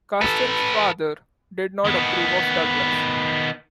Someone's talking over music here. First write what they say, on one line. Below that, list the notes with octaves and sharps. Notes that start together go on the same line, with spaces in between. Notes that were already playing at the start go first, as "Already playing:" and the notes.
Custance's father did not approve of Douglas.
A4 B4
D#3 B3